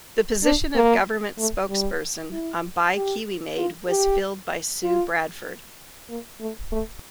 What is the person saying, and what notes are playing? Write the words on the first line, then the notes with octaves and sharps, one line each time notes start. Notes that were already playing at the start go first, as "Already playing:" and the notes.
The position of government spokesperson on Buy Kiwi Made was filled by Sue Bradford.
D4
A#3
A3
G3
E4
G4
F4
G4
F4
A#3
A3
A3